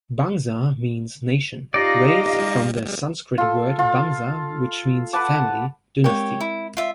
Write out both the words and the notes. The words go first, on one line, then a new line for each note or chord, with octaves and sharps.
"Bangsa" means "nation", "race", from the Sanskrit word "vamsa" which means "family", "dynasty".
D#4 F4 G4 D5 D#5 F5
F4 A4
F4
B4 F#5 A5 D6
G#3 C4 G4 A#4 C#5
E4
F4 E5